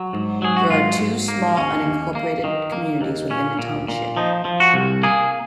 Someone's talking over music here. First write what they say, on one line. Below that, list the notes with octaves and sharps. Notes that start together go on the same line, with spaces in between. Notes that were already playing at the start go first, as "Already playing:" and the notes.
There are two small unincorporated communities within the township.
Already playing: F#3
G#2
F#3 G#4
F#4
G#2 F4
G#2
A#3
D#2 C#4
D#2
A#3
D#3
A#3
D#2
A#2 C#4
A#2
A#2
F3 D#4
F3
F#4
C2
A#3 G#4